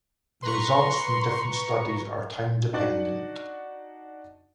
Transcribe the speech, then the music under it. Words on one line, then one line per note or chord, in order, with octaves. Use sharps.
The results from different studies are time dependent.
B4 A#5 C6 C#6
D4 D#4 F#4 D5 F#5